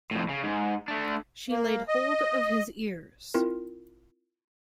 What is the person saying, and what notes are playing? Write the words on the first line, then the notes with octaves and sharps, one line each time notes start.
She laid hold of his ears.
F2 A2
C#3
G#2
A3 D4
A#3
D#5
C4 E4 F4 A#4